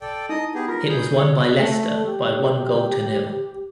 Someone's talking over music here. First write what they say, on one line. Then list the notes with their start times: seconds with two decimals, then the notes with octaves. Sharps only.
It was won by Leicester by one goal to nil.
0.01 A4 D5 G5
0.29 D#4 E4 D#5 D#6
0.54 B3 G4 G#4
0.69 F4 A#4
0.89 G#4 G6
1.18 C#5
1.58 A3
2.06 G4